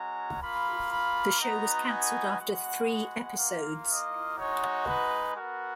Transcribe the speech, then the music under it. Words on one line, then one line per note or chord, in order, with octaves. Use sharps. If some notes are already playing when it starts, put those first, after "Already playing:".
The show was cancelled after three episodes.
Already playing: G#3 C#4 F#4 A#5
A#3 F4 B5
B5
B3 D#4 F#4 A#5
G#5
G#3 B3 F#4 F#5
A#3 F4
D#5
G#3 D#4 F#4 C#5
B4
B3 F#4 A#4